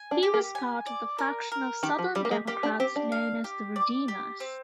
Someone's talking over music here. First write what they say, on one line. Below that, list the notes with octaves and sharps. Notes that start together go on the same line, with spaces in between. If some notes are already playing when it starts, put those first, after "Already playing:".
He was part of the faction of Southern Democrats known as the Redeemers.
Already playing: G#5
D4
G4
A#3
G#5
D5
A#4
A#4
D#3 G4
F3
G3 G4
A#3
G#3
A#3 G4
D4
C4 G4
D4
F5
G4
D5
G4
C4